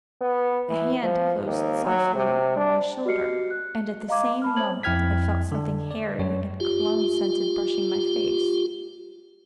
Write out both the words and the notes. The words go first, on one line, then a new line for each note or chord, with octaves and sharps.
A hand closed softly on my shoulder, and at the same moment I felt something hairy and cologne-scented brushing my face.
B3
E3
F3
D#2
F#3
C3
D4
F#4 G4 D#5 F6 C7 C#7
F#6
D#5 F5 A#5 C6 D6 G#6
A5 B5 F6
C5 C#5 A5 D#6 G#6 F#7
F2 E4 G5 F6 G#6 B6
D3 D4
D5
F#2 C#5
F4 G4